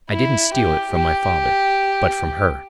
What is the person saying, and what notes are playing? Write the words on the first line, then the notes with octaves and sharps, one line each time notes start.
I didn't steal it from my father, but from her.
E4
G4
G4